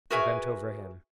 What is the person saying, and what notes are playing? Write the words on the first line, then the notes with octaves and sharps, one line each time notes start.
I bent over him.
F#4 G#4 A#4 B4 E5 G#5